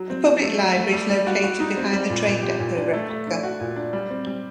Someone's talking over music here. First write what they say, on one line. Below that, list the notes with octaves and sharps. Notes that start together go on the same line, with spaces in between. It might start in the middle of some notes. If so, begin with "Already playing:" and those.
A public library is located behind the train depot replica.
Already playing: F#3
C4
F#3
A3
F#3
A3
G3
G3
F#4
F#4
D#4
C4
G3
A#2
A#2
G4
A#2
D4
A3
A3
D4
F#4
A#2
D4
G3
C4
G3